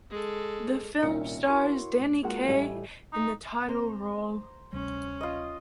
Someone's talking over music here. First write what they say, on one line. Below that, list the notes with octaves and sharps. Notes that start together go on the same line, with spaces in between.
The film stars Danny Kaye in the title role.
G#3 A4
C2 A#2 D#3 C#4 E5 C#7
E4 F#4 A#4 C#5 C6 C#6
A2
G#3 A#3 F4 F#4 G#4 F#5
A1 G3 A3 E5 G#5 D#7
D#4
C4 C5 A#5
D2 C3 G3 C#4
F4 D#5